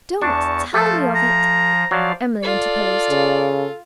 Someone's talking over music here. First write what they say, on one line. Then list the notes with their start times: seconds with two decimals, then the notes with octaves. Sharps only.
"Don't tell me of it!" Emily interposed.
0.22 E2 D4 A5 C#6
0.74 F3 A3 A4
1.15 A#5
1.91 F3 F#3 D5 F5
2.43 F4 A4 D5
3.10 C#3